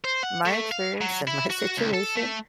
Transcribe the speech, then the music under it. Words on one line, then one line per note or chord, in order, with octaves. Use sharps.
my experience and my situation,
C5
F#5
A3
F5
F#3
E4
F#4
C#2
A4
A3